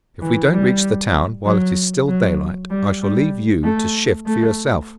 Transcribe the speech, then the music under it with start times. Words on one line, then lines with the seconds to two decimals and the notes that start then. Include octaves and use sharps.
If we don't reach the town while it is still daylight I shall leave you to shift for yourself.'
0.21 E3
0.53 G3
1.45 F#3
2.08 F#3
2.70 G3
3.01 G3
3.63 A3
4.26 A3